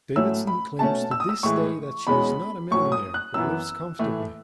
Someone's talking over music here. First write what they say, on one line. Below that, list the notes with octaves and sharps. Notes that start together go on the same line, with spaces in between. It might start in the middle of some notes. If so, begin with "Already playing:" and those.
Davidson claims to this day that she is not a millionaire but lives comfortably.
A2 F#3 A3 C#4 E6
B5
B2 A3 C#4 A5
E6
D#6
E6
A2 E3 G#3 C#6
E2 B2 G#3 C#4 B5
A2 F#3 C#4 C#6
D#6
F#6
F#2 E3 B3 E6
A2 E3 A3